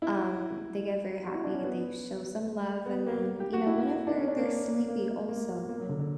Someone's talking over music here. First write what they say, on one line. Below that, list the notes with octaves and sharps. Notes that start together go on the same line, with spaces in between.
um, they get very happy, they show some love, and then, you know, whenever they're sleepy also,
E4
F#4
E4
D4
C#4
B3
B3
A#3
G4
F#4
E4
D4
C#4
D4
A#3
A#3
A#3
A#3
F#3
D3
D3